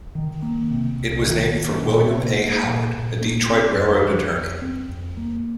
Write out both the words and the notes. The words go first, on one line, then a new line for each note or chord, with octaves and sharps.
It was named for William A. Howard, a Detroit railroad attorney.
D#3
A#3
C3
C2
D#3
A#3
A#2
A#3
A#3
A#2
A#2
A#3
C4
F2
F3
F2
C4
F2
A#3